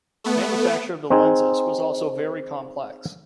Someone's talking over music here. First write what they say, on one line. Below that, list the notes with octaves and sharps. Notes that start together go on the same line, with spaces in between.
Manufacture of the lenses was also very complex.
A3 B3
C4 D#4 G#4